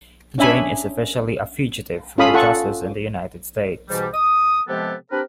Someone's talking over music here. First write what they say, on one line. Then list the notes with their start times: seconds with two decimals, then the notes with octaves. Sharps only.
Jain is officially a fugitive from justice in the United States.
0.38 C#4 D4 E5 G#5 B5
2.18 C#4 F4 A4 F5 B5 D#6
2.34 F4 A4 F#5 C#6
3.89 G#2 B2 E3 G3
4.14 D#6
4.68 C3 F3 G#3 B3 G4 A4
5.11 C4 D4 G4 A#4 B4